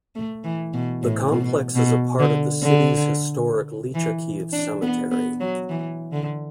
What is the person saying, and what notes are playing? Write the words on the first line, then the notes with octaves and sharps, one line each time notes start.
The complex is a part of the city's historic Lychakiv Cemetery.
A3
E3
B2
A2
B2
B2
D3
D3
E3
D4
B3
B3
F#3
E3
D3